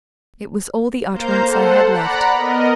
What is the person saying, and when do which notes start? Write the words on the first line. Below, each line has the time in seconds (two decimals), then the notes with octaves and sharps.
It was all the utterance I had left.
1.13 A#3 C5 F5 A#5 G6
1.43 A4 C5 F#5
1.90 D5 F#5 A#5 B5 F#6
2.33 B3 A#4 D#5